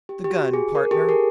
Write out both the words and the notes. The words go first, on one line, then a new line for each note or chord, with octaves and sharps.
"The gun, partner."
G4
G4
F#4
G#4
G#4 A#4
G4 A4
G#4 A#4